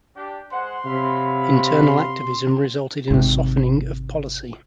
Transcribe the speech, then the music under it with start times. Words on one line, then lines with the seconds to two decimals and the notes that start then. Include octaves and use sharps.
Internal activism resulted in a softening of policy.
0.15 D4 G4
0.52 G#3 C5 F#5 C6
0.85 C3 F#3 F5 B5
1.57 C6
3.11 G#1 C3